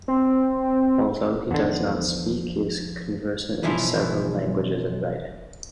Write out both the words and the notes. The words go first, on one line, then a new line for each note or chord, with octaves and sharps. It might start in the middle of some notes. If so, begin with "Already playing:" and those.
Although he does not speak, he is conversant in several languages in writing.
C4
E2 D3 F#5
F3 B4 C5
B1 E3 F3 E4